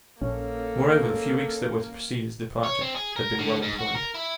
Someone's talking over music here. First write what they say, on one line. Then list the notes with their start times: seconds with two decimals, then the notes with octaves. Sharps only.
Moreover, the few weeks that were to precede his departure had been well employed.
0.22 A#1 F#2 A#3 C#4 A4
2.64 C#5
2.81 C4
2.95 G#4
3.16 A#4
3.39 D3
3.63 G#2
3.79 F#4
3.95 A#4
4.14 E4